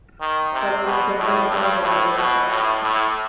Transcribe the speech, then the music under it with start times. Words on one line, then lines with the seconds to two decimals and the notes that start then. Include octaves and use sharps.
When you're given an order, you accept.
0.21 D#3
0.53 C3
0.85 B2
1.19 A2
1.51 G2
1.83 A2
2.16 B2
2.49 A2
2.82 A2